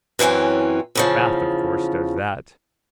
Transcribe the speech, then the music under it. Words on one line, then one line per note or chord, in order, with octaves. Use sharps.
Bath of course does that.
F#2 E3 G3 C4 C#4
E2 C#3 F3